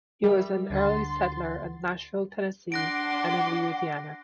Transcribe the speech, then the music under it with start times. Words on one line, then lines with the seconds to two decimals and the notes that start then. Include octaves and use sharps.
He was an early settler at Nashville, Tennessee and in Louisiana.
0.24 G3 A#4 E5
0.70 D2 D3 F#5 C6 A6
2.72 D4 F#5 C6 D6 F#6 A#6 D7